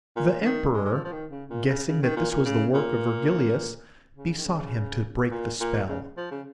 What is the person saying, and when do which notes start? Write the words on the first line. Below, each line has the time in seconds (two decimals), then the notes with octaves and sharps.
The emperor, guessing that this was the work of Virgilius, besought him to break the spell.
0.16 A#2
0.41 C#3
0.45 D#3
0.74 G#3
0.85 G#3
0.92 F3
1.05 F3
1.12 D#3
1.31 C#3
1.50 A#2
1.69 C#3
1.88 C#3
2.02 D#3
2.16 A#2
2.31 A#2
2.45 C#3
2.74 A#2
4.17 C#3
4.38 D#3
4.45 C#3
5.31 A#2
5.60 A#2
5.89 C#3
6.17 F3
6.31 C#3